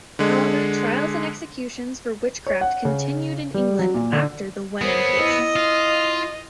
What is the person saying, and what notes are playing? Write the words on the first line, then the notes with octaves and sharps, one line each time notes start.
However, trials and executions for witchcraft continued in England after the Wenham case.
D3 G#3
C#5
F#5
C#3
G3
F#3
A#2
D3
B3 G#4 A#4 C5 C#5
E4 D#5
F4